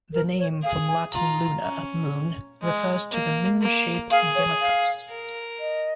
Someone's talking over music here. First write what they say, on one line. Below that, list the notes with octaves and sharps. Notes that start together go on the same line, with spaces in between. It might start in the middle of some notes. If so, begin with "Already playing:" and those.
The name, from Latin "luna", moon, refers to the moon-shaped gemmacups.
A#4
C#5
G#4 F5
G#5
F4 A#5
C#4
G#3
A#3
A#3
G#4 F5
C#5
F5
A#4
D#5